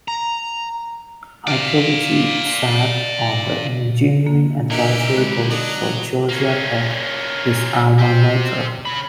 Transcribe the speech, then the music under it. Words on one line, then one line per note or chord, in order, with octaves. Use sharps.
Iacobucci sat on the engineering advisory board for Georgia Tech, his alma mater.
A#5
D5 F5
A#3
C#3 E3 D4 D#4 F#4 G4 A#4 E5
D3 G#3
F#3 D4 D#5
A#3 C#4
G4 C5
C#3 B5